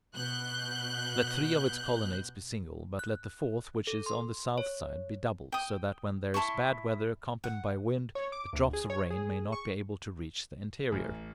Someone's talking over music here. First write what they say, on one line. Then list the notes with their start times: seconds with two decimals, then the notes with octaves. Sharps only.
Let three of its colonnades be single, but let the fourth, which is on the south side, be double, so that when there is bad weather accompanied by wind, the drops of rain may not be able to reach the interior.
0.15 B2 F#6 G6
2.99 F#6
3.87 A4
4.06 C6
4.58 C#5
5.52 G5 D#6
6.34 E4 A5 C6 C#6
7.44 F#5
8.15 C#5
8.32 D6
8.53 D2
8.73 G#4
8.90 C#5
9.10 G#4
9.52 C#6
10.92 A1